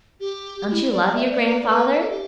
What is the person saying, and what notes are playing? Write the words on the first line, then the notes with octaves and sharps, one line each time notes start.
"Don't you love your grandfather?"
G4
G4
E4
D5
E5
D5
B4
D5
B4
B4
A4
G4